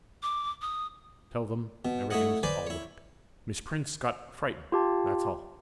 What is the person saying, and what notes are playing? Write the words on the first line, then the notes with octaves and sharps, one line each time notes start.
Tell them everything's all right. Miss Prince got frightened--that's all.
D6
D#6
B2
A3 E4 C#5 D#5 F#5
B4 C5 D5 G#5 B5
E4 C#5
F4 G4 A5